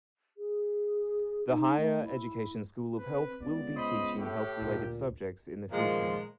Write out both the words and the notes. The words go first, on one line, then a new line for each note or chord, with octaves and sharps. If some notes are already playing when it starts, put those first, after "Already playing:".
The Higher Education School of Health will be teaching health-related subjects in the future.
G#4
D#4
A3
E4
C4 B4
C#2 B3 D5
C5 D#5 B5
A2 G4
D2 A#2
A#2 D#3 F3 G#3